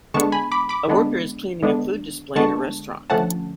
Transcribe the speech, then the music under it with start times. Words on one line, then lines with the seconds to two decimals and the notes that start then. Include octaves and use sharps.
A worker is cleaning a food display in a restaurant.
0.14 D3 G#3 B3 D4 A5 C#6
0.32 G#5 B5
0.52 B5 D6
0.69 B5 D6
0.88 D3 G#3 B3 D4
1.63 D3 G#3 B3 D4
2.36 D3 G#3 B3 D4 A5 C#6
3.10 D3 F3 A3 C#4 F#5 A5